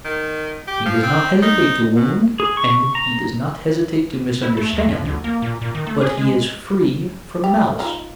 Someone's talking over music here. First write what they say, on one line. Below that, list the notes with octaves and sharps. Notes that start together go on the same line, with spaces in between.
He does not hesitate to wound and he does not hesitate to misunderstand, but he is free from malice.
D#3
G4
F3
C4
D#4
B2
G#4
C#6
A#5
E4
A3
D#2
F2
D2
A#3
A#2
A#2
D#3
A3
G#4
G#3
G4
D#4 F4